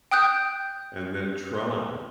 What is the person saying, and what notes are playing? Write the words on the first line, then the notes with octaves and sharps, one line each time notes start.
and then Tron,
G5 D#6 F#6 G6